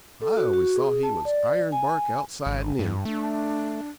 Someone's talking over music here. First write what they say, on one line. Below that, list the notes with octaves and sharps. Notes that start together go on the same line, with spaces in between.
I always thought he was ironbark outside and in.
A4
F#4
F#4
G#4
A5
D5
G#5
G#1
G2
A3 D4